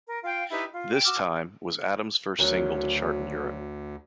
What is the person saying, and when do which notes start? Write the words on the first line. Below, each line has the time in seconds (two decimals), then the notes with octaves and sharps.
"This Time" was Adams first single to chart in Europe.
0.08 A#4
0.24 F4 F5 G5
0.51 D#4 E4 G4 B4
0.73 F4
0.92 G5
1.05 F#4 D6 E6 F6
2.39 D2 D#3 F#3